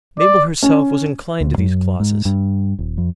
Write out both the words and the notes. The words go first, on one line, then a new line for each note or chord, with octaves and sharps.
Mabel herself was inclined to these clauses.
D5
C#4
D2
F#2
G#2
G2
D#1
F2